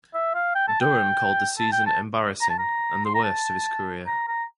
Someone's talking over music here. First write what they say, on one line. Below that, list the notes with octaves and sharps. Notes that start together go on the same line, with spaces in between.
Durham called the season "embarrassing" and the "worst" of his career.
E5
F5
G5
A5
G5
A5
G5
A5
A#5
A5
A#5
C6
A#5
A5
A#5
A#5